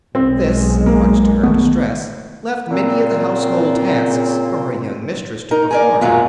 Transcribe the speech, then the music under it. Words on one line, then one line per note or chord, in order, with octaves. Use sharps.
This, much to her distress, left many of the household tasks for her young mistress to perform.
B1 G#3 C4
A#3
D#3 A3 B3
A#2 C#3 C4
D#4 A#4
G#4 A#4 D5
F#2 A#2 F#3 G#3 C#4 F4